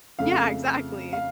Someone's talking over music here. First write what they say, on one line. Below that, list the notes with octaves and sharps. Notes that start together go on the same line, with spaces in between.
Yeah, exactly.
F2 C#3 A3 F5
F5